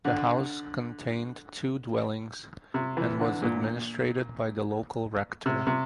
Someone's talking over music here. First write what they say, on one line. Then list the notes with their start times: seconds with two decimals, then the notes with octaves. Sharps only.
The house contained two dwellings and was administrated by the local rector.
0.05 D3
2.74 C3
2.97 E3
3.20 D3
3.42 A#2
5.46 C3
5.67 C3